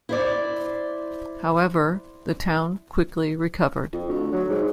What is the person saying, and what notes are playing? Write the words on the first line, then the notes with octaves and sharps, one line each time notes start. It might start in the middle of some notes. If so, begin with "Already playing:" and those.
However, the town quickly recovered.
E4 C5 D5
F2
D2
F#3
G#2